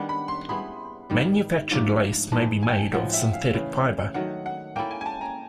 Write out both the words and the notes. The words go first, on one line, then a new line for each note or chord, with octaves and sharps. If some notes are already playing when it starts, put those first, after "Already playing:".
Manufactured lace may be made of synthetic fiber.
Already playing: D#3 G3 B3 D4 F#5
B5
C6
G3 B3 E4 G#4 B5
G#2 D#3 G3
G#2 F3 A3 D4
G#2 E3 G#3 A5
G#5
G5
G#5
A2 F3 G#3 F#5
E5
F5
C#3 E3 A3
D#3 F#3 A3 F#5
F#5
A#3 C#4 E4 A4 G5
G#5
G#5
A5
A#5